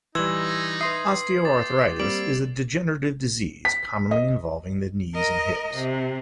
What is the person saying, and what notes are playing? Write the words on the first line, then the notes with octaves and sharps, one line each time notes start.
Osteoarthritis is a degenerative disease commonly involving the knees and hips.
E3 G3 D#4 C6 E6 G#6 F#7
B4 E5 C6 D#6 C7
G5 D6 A6
G3 A#3 C4 D6 D7 F#7
B6
D#5
A#4 D#5
C3